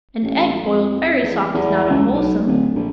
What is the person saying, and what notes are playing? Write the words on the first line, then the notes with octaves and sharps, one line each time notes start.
An egg boiled very soft is not unwholesome.
A1
F2
E2
E2
C#2
B1
D1
A#1